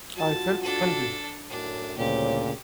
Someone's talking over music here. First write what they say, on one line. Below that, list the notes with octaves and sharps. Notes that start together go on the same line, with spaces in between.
I felt friendly.
G2 F4 F#4 A5
D4 A4
F#2 A2 D4
D2 A#2 C#3 G3 C4 G4 C#5